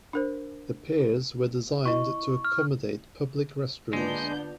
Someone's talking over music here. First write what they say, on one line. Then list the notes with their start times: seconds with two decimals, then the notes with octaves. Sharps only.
The piers were designed to accommodate public restrooms.
0.13 D4 A#4 C5
1.85 E4 D#5 C#6
2.45 F6
3.93 D3 G#3 A#3 B3 D4 F4 G6